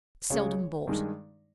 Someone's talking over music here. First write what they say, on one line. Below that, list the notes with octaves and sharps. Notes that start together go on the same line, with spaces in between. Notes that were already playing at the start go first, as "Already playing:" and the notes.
Seldom bought.
C#2 C#3 G#3 C#5
G2 D#3 G#3